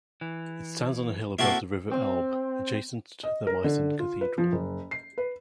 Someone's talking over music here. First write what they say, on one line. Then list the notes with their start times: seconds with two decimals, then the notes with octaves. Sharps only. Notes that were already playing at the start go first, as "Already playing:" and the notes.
It stands on a hill above the river Elbe, adjacent to the Meissen Cathedral.
0.21 E3
1.39 A#3 C4 E4 F#4 A4
1.92 C4
3.24 D#5
3.47 A#4
3.64 D3
3.99 F4
4.21 B4
4.38 F3
4.52 F#1
4.91 C7
5.18 B4